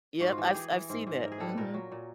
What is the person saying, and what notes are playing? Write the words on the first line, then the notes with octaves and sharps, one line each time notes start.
Yep, I've I've seen that, mhm.
G#2 F#4
F4
E3
G4
E3 G#4
E3
G#2
G#2
G#2 A#4
G#4
G3 A4
B4
A#2 A#4
F#3
A#2